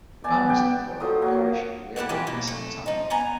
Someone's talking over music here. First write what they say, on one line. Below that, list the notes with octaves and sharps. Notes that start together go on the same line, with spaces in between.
The boundaries of the borough and parish were realigned at the same time.
B3 D5 G#5 A5
G5
F3 F#3 A4 D#6
F#3 A#3
G3 B3 E4 F#5
E3 F#3 F4 G4
B2 A#3
A3
F3 D#4
B3 G#5 A#5